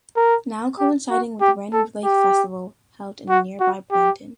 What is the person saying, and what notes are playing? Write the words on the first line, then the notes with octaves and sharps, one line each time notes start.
Now coinciding with Rend Lake Festival, held in nearby Benton.
A#4
G4
F#4
G4
A4
G4
F#4
F#4
G4